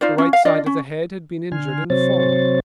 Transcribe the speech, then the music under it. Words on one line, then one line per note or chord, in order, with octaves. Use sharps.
The right side of the head had been injured in the fall.
D#4 F4 C5 D5
C#4 F4
F5
D4 F4 D5 D#5
C#4
D3 G#5 C6 F6
C3 F#3 C4 C5 C#5 A6